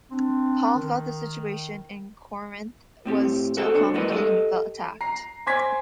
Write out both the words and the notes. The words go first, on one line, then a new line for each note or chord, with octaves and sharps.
Paul felt the situation in Corinth was still complicated and felt attacked.
C4 D4
D#3
A2 C4 G4
F#4 A4 C5 F5 G5
D4 F#4 C5
G3 A3 E4 A#4 B4 D#5
G4 A4 D#5
A#5 C7
C5 G#5 C6 D6 G#6 B6